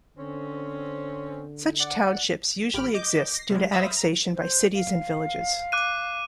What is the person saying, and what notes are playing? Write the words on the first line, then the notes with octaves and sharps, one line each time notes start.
Such townships usually exist due to annexation by cities and villages.
D3 C4 C#4
D5 F#5
A1 G4 B5 F6 D7
D#5 D6 G6
A#6 C7
C3 G3 G#3
C5 E5 F5 B5 D#6 E6
A#5
C5
F5
D6 F#6 D#7